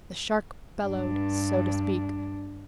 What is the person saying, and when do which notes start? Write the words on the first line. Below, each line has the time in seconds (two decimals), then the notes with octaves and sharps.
The shark bellowed, so to speak.
0.83 G2 D4